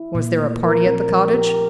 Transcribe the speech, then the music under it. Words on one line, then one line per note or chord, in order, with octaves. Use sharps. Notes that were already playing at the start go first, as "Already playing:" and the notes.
"Was there a party at the cottage?"
Already playing: E4
A#2
A3
F3 A#4
C4
A#4
F3
G4